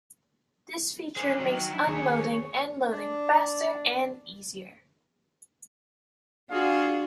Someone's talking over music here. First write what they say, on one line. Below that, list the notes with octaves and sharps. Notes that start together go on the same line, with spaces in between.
This feature makes unloading and loading faster and easier.
D4 G#4 A#4 C5
D#3 F#3 F#4
D4 E4
D#2 G#4 C#5
D4
D4 F4 F#4 G#4 F5